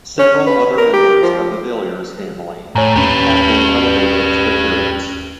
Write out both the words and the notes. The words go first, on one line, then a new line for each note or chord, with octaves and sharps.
Several other members of the Villiers family have been elevated to the peerage.
C#4
B4
A#4
G4
F3
A2 C#5 G#5 A#5
D#2 C#4 G4 B4